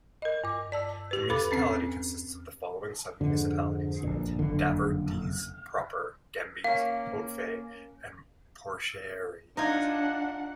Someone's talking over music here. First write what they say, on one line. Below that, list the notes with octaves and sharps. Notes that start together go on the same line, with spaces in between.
The municipality consists of the following sub-municipalities: Daverdisse proper, Gembes, Haut-Fays, and Porcheresse.
A#4 D#5
G2 D6
D5 A5 E6
G4 B4
E2 A4 B4 B5 D6 A6
C4 C#4 A6
F2 G#2 D3
A#1 G2 A#2
F#1 F2 D3
A#3 C#4 F5
D4 D#4 F4 F#5 G#5